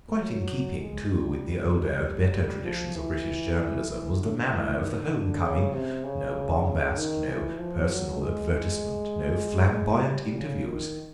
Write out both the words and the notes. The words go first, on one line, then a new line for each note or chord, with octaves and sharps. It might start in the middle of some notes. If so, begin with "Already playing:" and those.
Quite in keeping, too, with the older and better traditions of British journalism was the manner of the home-coming; no bombast, no personal advertisement, no flamboyant interviews.
F#3
G#3
G3
F3
E3
E3
D3
E3
D#3
D3
C#3
C3
C#3
D#3
E3
F3
F#3
G#3
G#3
G3
C#3
D#3